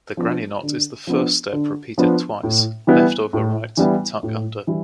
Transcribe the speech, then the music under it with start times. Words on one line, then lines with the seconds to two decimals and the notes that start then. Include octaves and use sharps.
The granny knot is the first step repeated twice, "left over right, tuck under".
0.17 F3 B3 D4
0.63 D3
1.07 F3 B3 D4
1.53 D3
1.98 F3 B3 D4
2.43 A2
2.87 E3 G3 B3 E4
3.33 A2
3.77 E3 G3 B3 E4
4.23 A2
4.67 E3 G3 E4